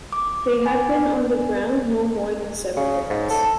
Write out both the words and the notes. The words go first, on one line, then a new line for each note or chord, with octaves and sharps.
They had been on the ground no more than seven minutes.
D6
G#5
C#3
G#2
A4